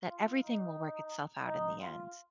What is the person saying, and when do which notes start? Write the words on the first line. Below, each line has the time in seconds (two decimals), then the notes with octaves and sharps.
that everything will work itself out in the end
0.09 F4
0.43 D#4
1.45 D#4
1.80 F4